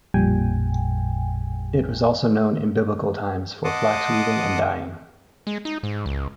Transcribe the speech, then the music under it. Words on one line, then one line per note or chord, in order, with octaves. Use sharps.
It was also known in biblical times for flax weaving and dyeing.
A1 F2 A#2 G3 G5 G#5
D#5 F#5 A5 C6 D6 D#6
G#3
D#4
G#2
C#2